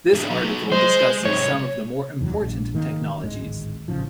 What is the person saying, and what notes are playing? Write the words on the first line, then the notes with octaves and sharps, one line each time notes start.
This article discusses some of the more important technologies.
G#2 D3
F#3 B3
G#3 C5
G#2 C3 C#5
F1 E2 B2 F#3
A#1
G#2 D#3 A#3
D1 G#1 G#3
A1 G#2 C#3 F3